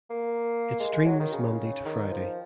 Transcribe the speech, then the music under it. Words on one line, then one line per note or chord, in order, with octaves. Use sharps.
It streams Monday to Friday.
A#3
G#3
G#3
F#3
D#3
C#3
D#3
F3